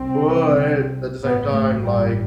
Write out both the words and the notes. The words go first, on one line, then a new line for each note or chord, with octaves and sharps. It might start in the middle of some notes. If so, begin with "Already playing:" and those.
But at the same time, like
Already playing: C2 C3 C4
A1 G2 B3
A3
G3